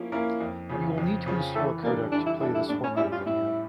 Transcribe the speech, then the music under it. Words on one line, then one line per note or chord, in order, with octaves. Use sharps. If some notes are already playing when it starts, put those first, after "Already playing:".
You will need to install a codec to play this format of video.
Already playing: F3 A#3 C#4 E4 A#4
A#3 C#4 E4 A#4
F2
C#3 F3 C#4
F2
C#3 F3 C#4
E3 A3
G3 A#3 D4 A4 D5
E3 D4
E4
G3 D4 E4 A4 D5
E4
A2 D4
C#4
G3 C#4 E4 G4 D5
F4
A2 E4